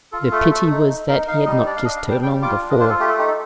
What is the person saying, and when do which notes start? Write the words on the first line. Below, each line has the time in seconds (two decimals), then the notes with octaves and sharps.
The pity was that he had not kissed her long before.
0.12 F4 A4
0.32 A3 A4
0.50 A3 A4
0.70 D#4
0.88 D#4
1.08 D#4 A#4
1.27 D#4 F5
1.46 G3 D#5
1.66 D4 D5
1.76 F5
1.84 D4 D#5
1.97 F5
2.03 G3
2.11 G5
2.22 G3 G5
2.42 F4 D6
2.61 D4
2.70 D#5
2.80 F4 C5
2.89 A4
2.99 A3 G4
3.09 A4
3.18 D#4 G4
3.28 A4